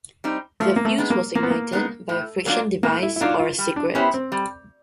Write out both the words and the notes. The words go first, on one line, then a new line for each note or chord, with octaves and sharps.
The fuse was ignited by a friction device or a cigarette.
G3 C4 D#4
F3 A3
A#3
A3
G#3 B3 D#4
A#3
F3 A#3
B3
A#3
G#3 B3 D#4
A2
F#3 A#3 D4 F4
A2 A#3
E4
E4
F#3 A#3 D4 D#4 F4
F4
G3
D4
B3 C#4 E4 G4 C5
C4
G3